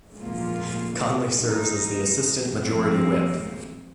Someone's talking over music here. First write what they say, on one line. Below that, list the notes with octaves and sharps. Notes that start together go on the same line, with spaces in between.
Conley serves as the Assistant Majority Whip.
A#2 F3 A#3 F4
D#4
G2 F3 A#3 C4